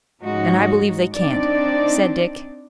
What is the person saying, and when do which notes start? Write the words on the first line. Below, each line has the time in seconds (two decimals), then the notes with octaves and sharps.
"And I believe they can't," said Dick.
0.21 G#2 F3 G#3 C#4 D#4 F#4
1.14 C4 D4 D#4 D5